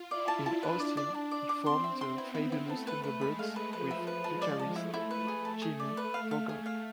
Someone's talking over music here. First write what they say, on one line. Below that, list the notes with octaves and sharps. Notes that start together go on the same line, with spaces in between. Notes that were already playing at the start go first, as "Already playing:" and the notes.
In Austin he formed the Fabulous Thunderbirds with guitarist Jimmie Vaughan.
Already playing: F4
E4 D5
A5
A5
D4 B4
D5
D5
D4 A5
D5
D6
C4 C6
E5
C6
B3 E4
E4
E4
A3 A5
B4
B4
G#3 B5
F5
B4
F3 B4
E5
B4
G#3 A5
D5
A5
A3 E4
E4
B4
G#4
A5
G#4
D5
B4
F5
F5
G#4
F5